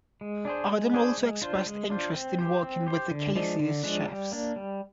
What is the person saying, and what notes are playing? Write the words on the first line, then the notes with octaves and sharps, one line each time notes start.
Adam also expressed interest in working with The Kaiser Chiefs.
G#3
D4 G#4 C5
G#3
D4 G#4 C5
G#3
D4 F4 C5
G#3
D4 F4 C5
C4
G4 C5
C4
G4 C5
D3
F3 G#3 D4
D3
F3 G#3 D4
G3
A#3 D4
G3